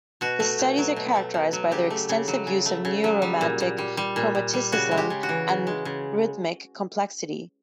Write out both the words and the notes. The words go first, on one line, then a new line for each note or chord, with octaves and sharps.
The studies are characterized by their extensive use of neo-romantic chromaticism and rhythmic complexity.
B2 F#4
A3
B2
F#3
B2
A3
B2
F#3
C#3 G4
A3
C#3
F#3
C#3
A3
C#3
F#3
G3
A#2
A#2
G3
G3
A#2
A#2
G3
C#3 F#4
G#3
G4
C#3
F#4
E3
C#3
G#3
C#3